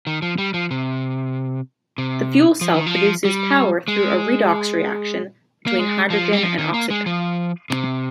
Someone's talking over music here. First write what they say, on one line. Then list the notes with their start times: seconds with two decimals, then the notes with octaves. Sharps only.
The fuel cell produces power through a redox reaction between hydrogen and oxygen.
0.07 D#3
0.22 F3
0.38 G3
0.54 F3
0.71 C3
1.98 C3
2.61 F3
2.74 D#3
2.86 F3
3.25 G3
3.88 G#3
5.67 A#3
5.79 G#3
6.10 F3
6.33 G3
6.43 F3
6.58 D#3
6.74 A#3
6.90 G#3
7.06 F3
7.70 C3